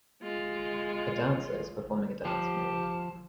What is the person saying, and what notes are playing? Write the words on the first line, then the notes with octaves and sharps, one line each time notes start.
A dancer is performing a dance move.
G#3 F4
F3 G4 A5